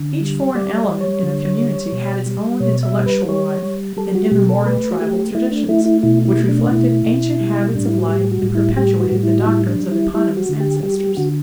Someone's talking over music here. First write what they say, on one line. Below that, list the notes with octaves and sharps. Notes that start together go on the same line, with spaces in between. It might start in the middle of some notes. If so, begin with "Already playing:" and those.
Each foreign element in a community had its own intellectual life and immemorial tribal traditions, which reflected ancient habits of life and perpetuated the doctrines of eponymous ancestors.
Already playing: D3
G3
G3 D5
D5
G3
C#5
D3
G3
B2
G3
B2 C#5
E5
G3
B4
G3 C#5
G3
G3 A4
F#4
B2 G4
A4
A3 B4
F#4
A3 G4
A3 E4
D4
A3 E4
E4
B2 E4
E4
A3
D4
D4
B2 E4
B2
G3
A2 D4
E4
F#4
G3 G4
F#4
A2
E4
G3 G4
F#4
A2
E4
F#4
G3 E4
D4
G3
E4
G3 E4
F#4
D3
G4
G3 G4
G4
D3 F#4